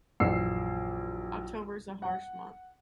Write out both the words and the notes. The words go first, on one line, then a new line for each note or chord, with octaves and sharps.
Octobers a harsh month.
A#1 F#2 E3 E6 C7
F#5